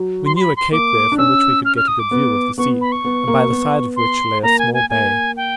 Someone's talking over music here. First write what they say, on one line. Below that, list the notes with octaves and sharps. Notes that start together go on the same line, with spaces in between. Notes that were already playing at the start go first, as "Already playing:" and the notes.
We knew a cape there from which we could get a good view of the sea, and by the side of which lay a small bay.
Already playing: F#3
C6
C6
B5
C6
A#3 D6
D4
C#4 E6
F6
F6
D#6
D6
B3
B3 C#6
B5
C#6
B3
A#3
B3
C6
A#3 A#5
G#5
G#5
A#3 G#5
G5